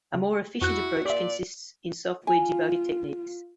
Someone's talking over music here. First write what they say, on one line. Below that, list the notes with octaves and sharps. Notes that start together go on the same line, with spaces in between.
A more efficient approach consists in software debugger technique.
C#3
F2 E4 F#4 F#6
A#2 G4 D5 E5
F4 G#5